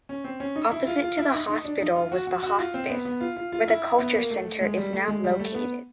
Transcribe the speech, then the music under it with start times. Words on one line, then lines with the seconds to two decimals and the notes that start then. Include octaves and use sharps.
Opposite to the Hospital was the Hospice, where the Culture Center is now located.
0.09 C#4
0.24 C4
0.40 C#4
0.56 D#4
0.71 E4
0.87 F4
1.02 F4
1.18 E4
1.34 D#4
1.49 D#4
1.65 D4
1.81 D#4
1.96 F4
2.12 F#4
2.27 F#4
2.43 F#4
2.58 F4
2.74 C4
2.89 B3
3.05 B3
3.21 F4
3.37 F4
3.52 F4
3.68 E4
3.99 B3
4.15 A#3
4.30 A3
4.61 G#3
4.77 G3
4.93 A3
5.08 G#3
5.24 G3
5.39 A3
5.55 B3